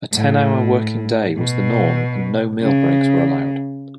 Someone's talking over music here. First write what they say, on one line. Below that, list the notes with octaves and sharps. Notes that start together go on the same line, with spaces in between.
A ten-hour working day was the norm and no meal breaks were allowed.
A2
B2
C#3